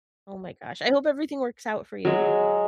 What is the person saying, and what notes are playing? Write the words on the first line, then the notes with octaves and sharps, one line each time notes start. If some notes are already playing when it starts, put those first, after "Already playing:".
Oh, my gosh. I hope everything works out for you.
F#3 G#3